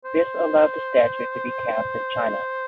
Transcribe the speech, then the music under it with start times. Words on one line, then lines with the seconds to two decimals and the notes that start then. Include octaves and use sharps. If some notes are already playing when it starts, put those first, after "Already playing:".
This allowed the statue to be cast in China.
0.05 C5